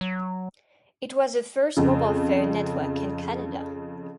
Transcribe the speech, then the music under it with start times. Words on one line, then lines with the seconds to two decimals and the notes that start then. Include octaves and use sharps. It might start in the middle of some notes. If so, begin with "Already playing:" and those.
It was the first mobile phone network in Canada.
0.01 F#3
1.77 F2 C#3